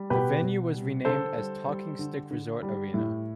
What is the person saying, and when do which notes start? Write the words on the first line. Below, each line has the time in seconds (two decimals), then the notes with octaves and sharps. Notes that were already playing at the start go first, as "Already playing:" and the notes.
The venue was renamed as Talking Stick Resort Arena.
Already playing: G3
0.10 B2 G4 B4
0.42 B2
0.74 G3
1.05 D3 A4 C5
1.36 G3
1.67 G3
1.99 D3
2.31 D3
2.62 G3
2.94 A2